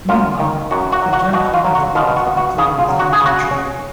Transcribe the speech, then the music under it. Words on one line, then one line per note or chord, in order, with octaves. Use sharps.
Meanwhile, the "Gem" conquered the world, including his own country.
F#2 F4
D#3
F#2 F#4
F#4
F#3
F#4
B2 F#4
F4
F#3
F#4
B2 F4
F#4
B3
F#4
C#3 G#4
F4
F#3
F#4
G#4
C#3
F#4
C#4